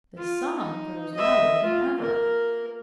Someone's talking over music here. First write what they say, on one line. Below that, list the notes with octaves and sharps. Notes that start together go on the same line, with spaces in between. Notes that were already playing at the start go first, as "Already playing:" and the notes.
The song grows louder than ever.
F4
D#4
D#5 E5
F4
A#3 A#4